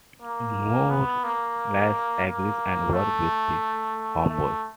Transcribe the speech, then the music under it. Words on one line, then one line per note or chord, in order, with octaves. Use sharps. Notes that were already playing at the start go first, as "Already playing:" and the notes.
Morales agrees and work with the Homeboys.
A#3
B3
A#3
A#3
A3
A3